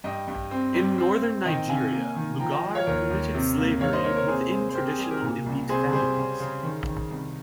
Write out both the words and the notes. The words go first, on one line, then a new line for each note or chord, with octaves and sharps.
In Northern Nigeria, Lugard permitted slavery within traditional elite families.
G2 D#5 G5
G2
C4
G3
C4
C4
D#3 D#5 G5
C3 F5 G#5
A#3
D#3
F3 G5 A#5
D#5 G5
F3
C#5 F5
D#2 A#4 C#5
D#2
C3
A#3
D#3 C#5 F5
C5 D#5
A#3 A#4 C#5
A#4 C#5
C3 G#4 C5
C4 G#4 C5
C5
C4 G4 A#4
G#4
G3 G#4
G4 A#4
A#2
C2
C3 G#4 C5
G3 G#4 C5
C#3
C#3
D#3
D#3
C2